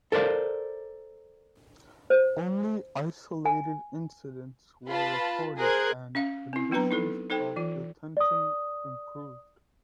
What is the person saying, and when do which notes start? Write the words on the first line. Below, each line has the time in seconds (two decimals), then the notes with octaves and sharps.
Only isolated incidents were reported and conditions of detention improved.
0.12 A4 A#4 C5 D5 F5
2.10 C5
3.46 G#5
4.88 F4 B4 A5 B5
5.59 G#4 A#4 C5 F#6 G#6
6.15 C#4 E5 F5
6.53 C4 E4
6.71 F#3 B3 D4 B4 A#5
6.91 D#4 E4 A4
7.30 D#4 A4 C5 G5
7.56 E3 F4
8.17 D5 D#6